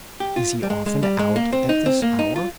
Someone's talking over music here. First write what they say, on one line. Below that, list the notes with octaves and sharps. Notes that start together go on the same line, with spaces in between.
"Is he often out at this hour?"
G4
F4
G3
G#3
G#3
G3
G#3
A#3
C4
D#4
C4
A#3
D#4
F4